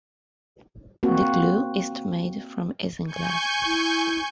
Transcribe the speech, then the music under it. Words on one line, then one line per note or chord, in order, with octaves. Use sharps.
The glue is made from isinglass.
A#3 C4 F#4
G#5 C#6 G6
E4